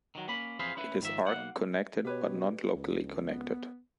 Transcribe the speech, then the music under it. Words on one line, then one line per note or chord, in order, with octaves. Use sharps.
It is arc connected but not locally connected.
D#3 F#3
A#3 C#4 B5
F2 E3 G#4 C5 F5 B5
C#4 E4 B4
G#2 D#3 F3 E5
B1 A#3 F#5
B2 G4 B4 C#5
C#2
B3